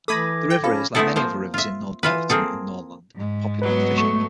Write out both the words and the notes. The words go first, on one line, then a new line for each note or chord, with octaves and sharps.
The river is, like many other rivers in Nordkalotten and Norrland, popular for fishing.
E3 A3 A4 B5 D6 D#6 G#6 A#6
G5
F3 C#4 A4 F5 B5
A3 B3 C4 E4 G#4 A4
F3 A#3 C5
F4 E5
E3 F4 B4
A#3 C4 G#4 A4
G#2 G#3
F#3 B3 B4
A3 C#6